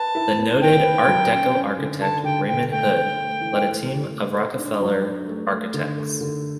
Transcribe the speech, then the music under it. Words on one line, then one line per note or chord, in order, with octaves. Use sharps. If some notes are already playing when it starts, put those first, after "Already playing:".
The noted Art Deco architect Raymond Hood led a team of Rockefeller architects.
Already playing: B4 A5
E4
B3
B3 G5
B4
F#3
C#4
C#4
D3
D3 A5
D3 G5
D3 G5
A3 G5
A3
A3
E3
A3
G4
A3
A4
D4
F#3
D4
A3
A3
D3
A3
D3